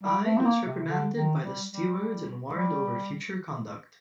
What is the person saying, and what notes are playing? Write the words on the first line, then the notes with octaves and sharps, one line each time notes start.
Ide was reprimanded by the stewards and warned over future conduct.
G3
A3
C4
A#3
C3
D3
D#3
G3
G3
G3